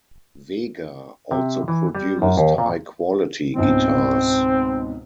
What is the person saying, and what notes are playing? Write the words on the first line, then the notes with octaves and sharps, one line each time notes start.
Vega also produced high quality guitars.
C3
E3
G3
F#2
D#2
A#2
C#2 G#2 B2 C4